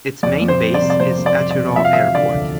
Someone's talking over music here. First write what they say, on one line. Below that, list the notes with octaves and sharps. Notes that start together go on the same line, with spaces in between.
Its main base is Atyrau Airport.
F2 D5
F2
C5
G3
D5
C3
D5
F2 C5
F2
D5
G3
D5
C3
F3 E5
F5
E5
E1
D3 D5
D2